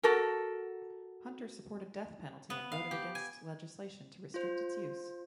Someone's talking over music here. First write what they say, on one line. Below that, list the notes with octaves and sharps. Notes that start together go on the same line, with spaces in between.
Hunter supported death penalty and voted against legislation to restrict its use.
F#4 A4 A#4
B3
F5
G4
G#5
F4 C5